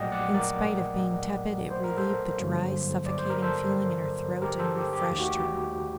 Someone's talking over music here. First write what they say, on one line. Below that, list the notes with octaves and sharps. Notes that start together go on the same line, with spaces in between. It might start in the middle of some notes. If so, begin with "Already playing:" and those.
In spite of being tepid it relieved the dry, suffocating feeling in her throat and refreshed her.
Already playing: A#1 A#2 F#3 A3 D5 D#5 F#5 G5
D5 F#5
A#4 D5
C5
A#4
A4 C5
G2 D3 F#3 A#3
D5
C5
A#4
A4 C5
G4 A#4
A4 C5
G4
G4
D#2 D#3 A3 G4
F#4
G4